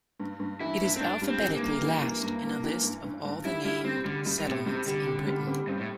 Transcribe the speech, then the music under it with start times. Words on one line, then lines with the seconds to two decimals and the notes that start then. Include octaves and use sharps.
It is alphabetically last in a list of all the named settlements in Britain.
0.20 G2
0.40 G2
0.60 E3 E4
0.81 G2
0.97 C4
1.00 G2 D4
1.22 G3
1.28 C4
1.41 E3
1.55 A#3
1.61 G2
1.82 E3
2.02 E3
2.22 G2
2.43 G2
2.64 E3
2.83 G2
3.04 G2
3.25 G2
3.45 G3 E4
3.65 G3 E4
3.84 G3 C4
4.05 D3 G3
4.26 G2 G3
4.37 G2
4.46 A2 C4
4.66 C3 G3
4.87 D3 G4
5.07 G4
5.26 G3
5.47 C4
5.67 G2 C4
5.78 A2